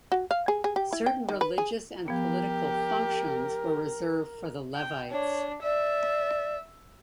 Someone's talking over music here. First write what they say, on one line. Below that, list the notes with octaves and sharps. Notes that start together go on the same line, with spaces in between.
Certain religious and political functions were reserved for the Levites.
F#4
F5
G#4
G#4
G4
E4
G5
D#3
B4
G#4
F3 B3 G4 A#4
G5
D4 C#5
D5 E5